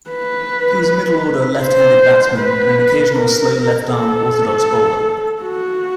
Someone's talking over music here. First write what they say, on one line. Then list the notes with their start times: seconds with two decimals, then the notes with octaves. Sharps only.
He was a middle-order left-handed batsman and an occasional slow left arm orthodox bowler.
0.10 B4
1.63 C5
2.38 B4
3.14 A#4
3.90 A4
5.42 F#4